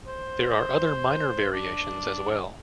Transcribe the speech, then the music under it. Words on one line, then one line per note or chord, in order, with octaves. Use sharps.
There are other minor variations as well.
C5
D4